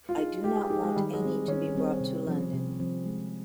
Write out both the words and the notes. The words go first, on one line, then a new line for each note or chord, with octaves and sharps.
I do not want any to be brought to London.
F4
D#4 G#4
G#3 G4
G#4
D#4 G4 G#4
G#3
D#3 G3
G#3
G3 C4
D#3 C#4
G3 C4
C3
F3 C4
C3
F3 C4
G#3